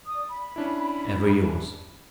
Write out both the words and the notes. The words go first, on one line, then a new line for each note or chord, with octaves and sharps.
Ever yours.
D5 D#6
B5
C#4 D4 E4